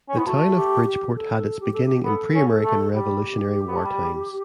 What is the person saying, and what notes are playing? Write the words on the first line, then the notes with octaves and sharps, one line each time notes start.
The town of Bridgeport had its beginning in pre-American Revolutionary War times.
C#4
B3 E4
A3 F#4
F#4
G4
G4
A4
G4
A4
G4
B3 A4
C#4
A4
A3
G3 G4
B3
A3
G3